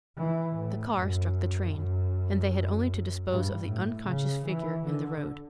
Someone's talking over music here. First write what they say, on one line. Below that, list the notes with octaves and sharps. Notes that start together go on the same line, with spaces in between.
The car struck the train, and they had only to dispose of the unconscious figure in the road.
E3
A2
F#2
F#2
G2
A2
C#3
E3
D3